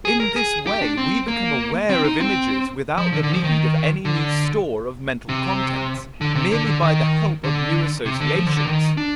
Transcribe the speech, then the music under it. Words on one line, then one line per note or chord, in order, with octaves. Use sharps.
In this way we become aware of images without the need of any new store of mental contents, merely by the help of new associations.
G#4
A#4
G#4
G4
D4
C4
A#3
C4
D#4
C4
F3
D3
D3
F3
D#3
D3
C3
D3
C3
D3
D3
D#3
D3
C3
D3
F3
D3
D3
D#3
D4